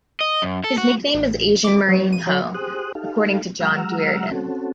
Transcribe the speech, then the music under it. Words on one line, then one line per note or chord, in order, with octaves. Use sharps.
His nickname is 'Asian Mourinho' according to John Duerden.
D#5
F#2
A4
F#4
A1
D6
F#3
D#7
F#3
G4 G#4 C5 D#6 F#6
D#4 G4 A4 F5
F#3 G#3 F#5 A#5 E6 F6
C4 C#4 F#4 A4